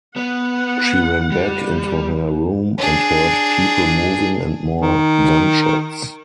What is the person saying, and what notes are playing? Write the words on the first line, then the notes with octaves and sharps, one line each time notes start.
She ran back into her room and heard people moving and more gunshots.
B3 F#5
G3
D4 G#4
D#3